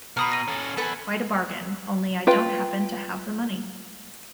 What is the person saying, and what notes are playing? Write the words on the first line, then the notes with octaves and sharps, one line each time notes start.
Quite a bargain, only I don't happen to have the money.
B2 A#5 B5 D#6 F6
A#6 D#7
C#4 A4
B3 A4 B4 G#5
F4 B4 G5